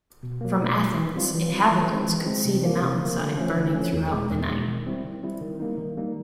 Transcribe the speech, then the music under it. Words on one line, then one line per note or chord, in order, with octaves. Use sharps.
From Athens, inhabitants could see the mountainside burning throughout the night.
B2
F#3 A#3
B2
F#3 A#3
E3
G3 C4 F4
E3
G3 C4 F4
E3
G#3 C4
E3
G#3 C4
C3
F3 A#3
C3
F3 A#3
D3
F3 A3 C#4
D3
F3 A3 C#4
E2
B2 G#3
E2
B2 G#3
D#3
G3 C4 E4
D#3
G3 C4 E4
D#3
G3 A#3 D#4
D#3
G3 A#3 D#4